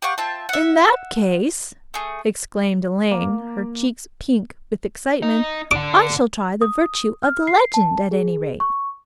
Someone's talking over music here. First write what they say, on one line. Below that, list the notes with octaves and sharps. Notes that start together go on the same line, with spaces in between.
"In that case," exclaimed Elaine, her cheeks pink with excitement, "I shall try the virtue of the legend, at any rate."
G4 F5 F#5 C#6
C4 F4 E5 A5
E5 F#5
A3 G#4
A#3
D#4
D3 D4 D6
D#6
F6
C7
A5
G#4
C#6